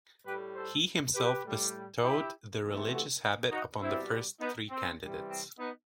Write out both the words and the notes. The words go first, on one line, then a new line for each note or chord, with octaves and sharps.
He himself bestowed the religious habit upon the first three candidates.
A2 G3 G4 B4
A4 C5
G4 B4
A2 G3
E4 G4
C3 E3 A3
F#4 A4
D#4 F#4
B2 G3 C4 E4
B3 D#4
C4
C3 E3 G3
C4
B3 D#4